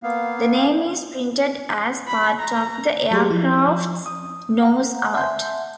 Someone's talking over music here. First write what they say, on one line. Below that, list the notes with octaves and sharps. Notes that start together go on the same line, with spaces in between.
The name is printed as part of the aircraft's nose art.
A#3 B3 F5
B5
A#5
F#3 A3 G4 G#4 C6
F3 E4
F3
D#6
F#5 A#5
E5 F#5 G#5 A5 C6 G6